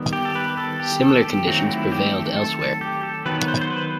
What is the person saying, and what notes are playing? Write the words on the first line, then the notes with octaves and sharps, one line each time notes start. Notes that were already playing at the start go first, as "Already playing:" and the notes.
Similar conditions prevailed elsewhere.
Already playing: D#3 G3 B3
G4
A4
B4
A4
G4
A4
G4
D#3 F#3 A3 C4 F#4
E4
G4
A4
A4
G4
A4
D#3 F#3 B3 B4
C5
C5
B4